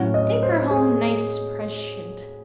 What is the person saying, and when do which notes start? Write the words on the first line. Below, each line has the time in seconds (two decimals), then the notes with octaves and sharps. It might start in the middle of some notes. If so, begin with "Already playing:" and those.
Take her home nice preshent.
Already playing: A2 F#3 C#4 F#5
0.14 D#5
0.43 C5
0.70 G#4